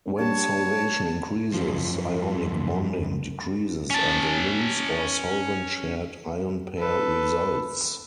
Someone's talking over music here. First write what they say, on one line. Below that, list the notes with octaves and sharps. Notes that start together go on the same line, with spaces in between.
When solvation increases, ionic bonding decreases and a "loose" or "solvent-shared" ion pair results.
G3 D4 C#5 A5
F#2 F3
C#4 A5
A4 B4